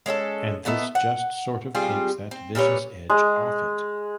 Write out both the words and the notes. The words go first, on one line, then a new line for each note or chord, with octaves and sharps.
And this just sort of takes that vicious edge off it.
G#3 C#4 E4 A4
A3 B3 D#4 E4
F#5
G3 C4 F4 G#4
C4
A#2 G3 B4 C#5
G#3